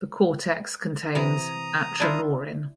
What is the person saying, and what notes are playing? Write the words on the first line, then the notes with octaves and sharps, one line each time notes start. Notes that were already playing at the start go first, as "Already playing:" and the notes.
The cortex contains atranorin.
C3 E3 A#5 D#6
D4 E4 F4